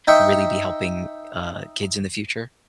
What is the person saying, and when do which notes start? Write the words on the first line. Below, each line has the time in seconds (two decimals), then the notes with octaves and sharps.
really be helping, uh, kids in the future?
0.08 D#4 E5 G5 C#6